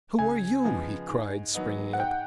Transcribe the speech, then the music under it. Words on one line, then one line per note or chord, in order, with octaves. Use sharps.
"Who are you?" he cried, springing up.
C#2 G#5
C#3 F3 G#3 B3
G#2
D#3 F#3 B3 D#4
F#5
G#2 G5